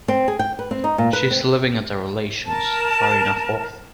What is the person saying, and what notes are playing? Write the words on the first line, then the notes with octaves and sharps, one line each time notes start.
She’s living at a relation’s, far enough off.
C4
G#4
G5
B4
C4
D#4
A#2
B4
C4
A#4 A5